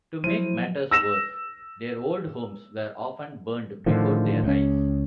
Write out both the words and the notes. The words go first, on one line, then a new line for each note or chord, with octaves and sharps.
To make matters worse, their old homes were often burned before their eyes.
F3 F#3 E4 C5 D#7
E6 A#6 E7
A2 D3 D#3 F3
C#2 C#4